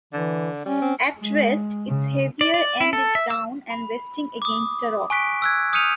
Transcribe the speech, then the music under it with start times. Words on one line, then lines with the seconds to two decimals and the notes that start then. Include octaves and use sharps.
At rest, its heavier end is down and resting against a rock.
0.13 D3 E3
0.65 G3 C#4
0.81 C4
1.18 G#3
1.88 C#3
2.41 D5
2.54 D5
2.81 E4
2.93 A4
3.15 E5
3.30 E6
3.70 B5
4.42 D6 D#6
5.10 G#5 C#6 F#6 B6 D7
5.42 E6 F#6 G#6
5.73 D#6 F6 G6 C#7 D#7 F7